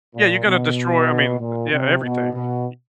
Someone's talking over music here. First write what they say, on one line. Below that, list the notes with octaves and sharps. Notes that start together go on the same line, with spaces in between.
Yeah, you're gonna destroy, I mean, yeah, everything. Y
A#2
B2
A#2
C3
B2
B2